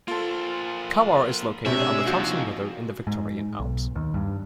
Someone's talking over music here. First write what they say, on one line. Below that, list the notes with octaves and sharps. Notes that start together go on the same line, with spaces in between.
Cowwarr is located on the Thomson River in the Victorian Alps.
A#3 F4 A4 C5
C3 G#3 D4 C#5 E5 G#5
D#2 F3 F#4
G#2
B1
D#2
G2